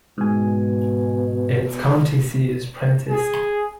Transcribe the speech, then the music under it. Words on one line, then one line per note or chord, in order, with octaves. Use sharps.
Its county seat is Prentiss.
G#2 B2 G#5
G#4